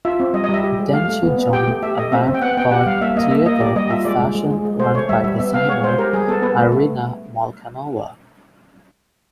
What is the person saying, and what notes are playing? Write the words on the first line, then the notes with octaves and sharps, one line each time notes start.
Then she joined Avant-garde Theatre of fashion run by designer Irina Molchanova.
F4 E5
C4
G3 D#5
D#5
G3 E5
G4
G#3
A3 F5
A3
B3
B3
G4 G5
A3
G4 E5
A3 D#5
C4 E5
C4
G5
B3 F#5
B3 G5
G4 F#5
G3 F5
A#3 E5
A#3 D#5
A#3 E5
A#3 D#5
G4 D5
G3 D#5
F4 E5
G#3 D5
G#3
G#3
G#3
G#3
A3 C5
A3 C#5
G3 E5
G3 E5
B3 E5
B3 F5
G#3 C#5
G#3 C5
G4 A#4
G3 G#4
B3 A4
B3 B4
A3
A3